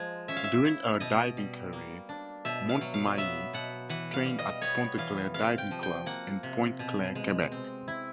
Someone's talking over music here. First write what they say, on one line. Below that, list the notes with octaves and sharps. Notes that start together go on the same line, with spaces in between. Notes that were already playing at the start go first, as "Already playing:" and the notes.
During her diving career, Montminy trained at Pointe-Claire Diving Club in Pointe-Claire, Quebec.
Already playing: F3 G#3
C#4 E5
F5
E5
E4
B2 D#5
G3
A#3
D4
B2 E5
F5
F#3
F5
B3 E5
B2 F#5
E3 F#5
F5
G3
D#5
B3 C#5
E3 F5
C3 F5
G5
F3
G5
A#3 F#5
C3
B2
G#3
C4
E4